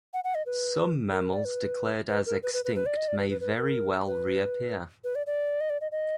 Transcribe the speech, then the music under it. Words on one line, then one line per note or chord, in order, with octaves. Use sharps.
Some mammals declared as extinct may very well reappear.
F#5
F#5
D#5
B4
A#4
D5
B4
B4
A#4
B4
B4
B4
B4
D5
D#5
D5
B4
B4
B4
A#4
B4
B4
D5
D5
D#5
D5
D#5
D#5